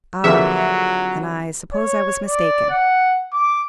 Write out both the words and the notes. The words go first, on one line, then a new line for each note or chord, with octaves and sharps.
"Ah, then, I suppose I was mistaken."
F2 D3 F#3 A#3 G4 G#4 B4 E5
C#5
D5
F#5
D6